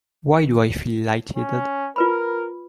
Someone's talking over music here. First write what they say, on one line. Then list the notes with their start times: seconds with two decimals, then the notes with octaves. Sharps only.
Why do I feel light-headed?
1.36 C#4
1.96 F4 A#4 B4 B5